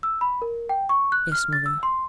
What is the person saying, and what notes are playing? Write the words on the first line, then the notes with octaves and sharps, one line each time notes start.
'Yes, mother.
E6
B5
A#4
G5
C#6
F#6
F6
A6
E6
C6